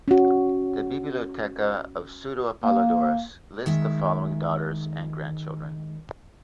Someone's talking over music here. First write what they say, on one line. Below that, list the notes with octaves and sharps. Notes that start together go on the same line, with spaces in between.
The "Bibliotheca" of Pseudo-Apollodorus lists the following daughters and grandchildren.
C#4 F#4
A#3
D#3 G#3 E5